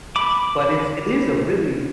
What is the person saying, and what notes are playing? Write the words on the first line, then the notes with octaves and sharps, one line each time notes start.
But it's it is a really
B5 D6